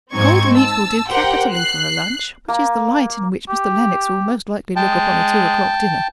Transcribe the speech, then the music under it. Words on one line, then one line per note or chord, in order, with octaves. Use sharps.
Cold meat will do capitally for a lunch, which is the light in which Mr. Lennox will most likely look upon a two o'clock dinner.'
G#2 C4 D#4 C#6 G#6
A5 E6
G4 A#4 C5 F#5 G5
F#6 C7
A#3
G4
G#3 G5 A5